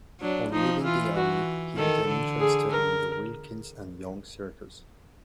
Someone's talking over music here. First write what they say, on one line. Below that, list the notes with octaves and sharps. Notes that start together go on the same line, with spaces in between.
On leaving the army he became interested in the "Wilkins and Young Circus".
F#3 D4
F3 D#4
E3 F4
F#4
D#3 A4
D3
G#4
A#4